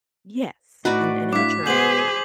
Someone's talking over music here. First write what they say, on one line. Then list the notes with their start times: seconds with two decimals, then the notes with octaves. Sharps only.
Yes, and and immature for sure.
0.85 A2 D#4 E4 F#4 B4 D5
1.33 D4 E4 F5 D6 B6
1.66 B2 G#3 B3 G#4 C5 G6 F#7